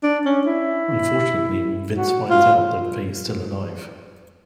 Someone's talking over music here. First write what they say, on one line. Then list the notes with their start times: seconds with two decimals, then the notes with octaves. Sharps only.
Unfortunately, Vince finds out that Fay is still alive.
0.03 D4
0.25 C#4
0.46 E4
1.97 F#4
2.30 F4